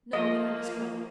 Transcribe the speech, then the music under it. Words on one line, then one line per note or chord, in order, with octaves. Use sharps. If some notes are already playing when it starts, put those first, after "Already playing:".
"No, but I must go."
F3 A#3 F4 D#5